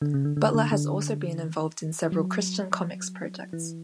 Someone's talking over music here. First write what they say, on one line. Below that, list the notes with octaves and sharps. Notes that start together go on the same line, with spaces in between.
Butler has also been involved in several Christian comics projects.
D3
C#3
D3
D3
D3
D3
F#3
E3